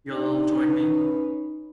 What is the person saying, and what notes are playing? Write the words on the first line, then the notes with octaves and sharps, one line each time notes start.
You'll join me?
D4 D#4 G4
C#4 B4